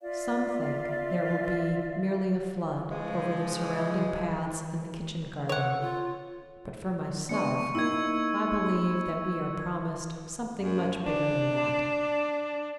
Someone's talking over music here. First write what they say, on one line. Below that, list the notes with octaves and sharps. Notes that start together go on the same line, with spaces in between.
Some think there will be merely a flood over the surrounding paths and the kitchen garden, but for myself I believe that we are promised something much bigger than that.
F4 D5 E5 F5
C#3 E3 F3 G#3
A4 C#5 F#5
F4
B3 D4 C#6 C#7
A#3 D#4 E4 E6 G#6
F#2
D4